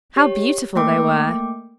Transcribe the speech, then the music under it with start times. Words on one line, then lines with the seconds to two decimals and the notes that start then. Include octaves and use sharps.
How beautiful they were!
0.16 G4 C#5
0.75 A3 A#3 G5 D6